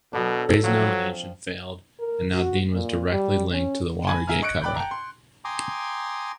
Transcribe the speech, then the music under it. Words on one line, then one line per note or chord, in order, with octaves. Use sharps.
Gray's nomination failed and now Dean was directly linked to the Watergate cover-up.
B2 F#3 B3 D4 A4
F3 F#3 C4
A#4
F#4
A#2
G3
C#4
G#5 A5 B5 G#6
G#4 E5 G#5 A#5 F6
D#5 C#6 F#6 C#7 D7
D5 G5 B5 F#6 G6
G5 A5 A#5
C6
G5 G#5 A#5 C6 D6 D#6